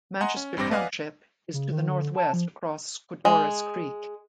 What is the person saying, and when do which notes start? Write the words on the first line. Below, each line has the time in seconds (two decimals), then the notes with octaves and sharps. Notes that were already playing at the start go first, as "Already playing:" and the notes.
Manchester Township is to the northwest across Codorus Creek.
0.21 D#5 F#5 G#5 A#5 C6
0.37 C#4
0.57 A1 G2 G3 C4 D6 A#6
0.71 B4 D5 D#5 F5 F#5 G#5
1.54 C#3
1.72 D#3
1.90 D3
2.16 A5
2.33 F3
3.25 G#3